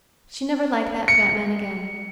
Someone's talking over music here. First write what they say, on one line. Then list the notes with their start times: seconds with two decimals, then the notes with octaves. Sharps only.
She never liked that fat man again.
1.08 C#7